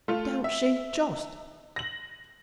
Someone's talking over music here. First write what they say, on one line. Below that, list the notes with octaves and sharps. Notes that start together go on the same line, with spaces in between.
Don't she just!
A3 F4
E5
A#6 F#7